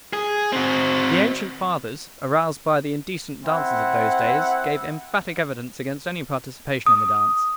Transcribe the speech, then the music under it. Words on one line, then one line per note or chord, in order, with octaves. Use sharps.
The ancient fathers, aroused by the indecent dances of those days, gave emphatic evidence against any participation in the dance.
G#4
C4 F#4
C4 E4 F#5
D#6